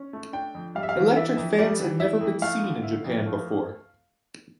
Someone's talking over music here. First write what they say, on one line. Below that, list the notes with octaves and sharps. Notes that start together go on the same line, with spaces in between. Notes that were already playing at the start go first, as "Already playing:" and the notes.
Electric fans had never been seen in Japan before.
Already playing: C#4
A3
D4 G5
F2
G3 F5
E5
F5
E3
D4 E5
F2
G3 D5
E3
E4 E5
F2
A3 F5
D3
E4
F2
A3